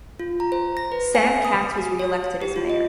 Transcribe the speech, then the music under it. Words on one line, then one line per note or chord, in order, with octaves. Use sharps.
Sam Katz was re-elected as mayor.
F4
A#5
C5
A#6
B4
G#5
D#6
F#4
C#5
G4
F4
D#5